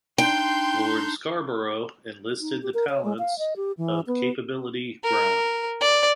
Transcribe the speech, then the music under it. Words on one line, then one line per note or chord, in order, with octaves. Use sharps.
Lord Scarborough enlisted the talents of Capability Brown.
D4 D#4 G5 C6 G6
D#4
G4
A#4
C#5
G#3
F5
D#5
G4
E3
B3
A#4
D5